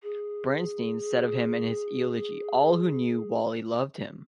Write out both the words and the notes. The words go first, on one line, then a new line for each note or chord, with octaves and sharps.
Bernstein said of him in his eulogy, All who knew Wally loved him.
G#4